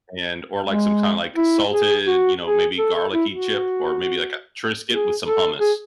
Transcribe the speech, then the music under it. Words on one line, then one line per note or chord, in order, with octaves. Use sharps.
and, or, like, some kinda, like, salted, you know, maybe garlicky chip, or maybe, like, a Triscuit with some hummus,
G#3
E4
G#4
F#4
G#4
A4
A4
E4
F#4
G#4
A4
G#4